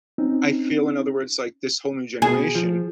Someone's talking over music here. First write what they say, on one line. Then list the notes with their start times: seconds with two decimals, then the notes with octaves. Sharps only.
I feel in other words, like, this whole new generation,
0.18 C4 C#4 D#4
2.22 B2 G#4
2.55 F3